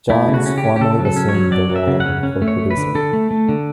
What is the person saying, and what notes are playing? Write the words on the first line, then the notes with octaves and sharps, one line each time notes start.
Johns formally assumed the role of a co-producer.
A3 E4
C#3
F#4
C#4
G4
C#4
G4
C#3 A4
F#3
A4
C#4
C#5
F#3
F#3 D5
F#3
E5
C#3
F#5
C#4
C#4
A3
C#5
A3
B4
D3
D3 A4
A3
A3
D3